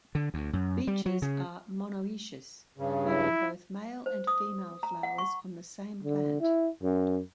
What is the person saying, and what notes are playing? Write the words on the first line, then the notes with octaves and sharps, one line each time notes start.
Beeches are monoecious, bearing both male and female flowers on the same plant.
D3
D2
F#2
G3
F#3
C#3
G2 C#3
E4
C5
D#6
A#5
F#5
C#6
D3
E4
F#2